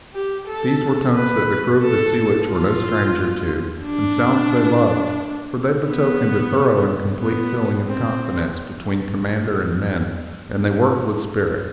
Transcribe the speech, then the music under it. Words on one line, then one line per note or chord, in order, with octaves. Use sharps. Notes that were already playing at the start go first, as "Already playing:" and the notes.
These were tones that the crew of the "Sea Witch" were no strangers to, and sounds they loved, for they betokened a thorough and complete feeling of confidence between commander and men, and they worked with spirit.
G4
A4
B4
A4
F4
D4
B3
B3
C4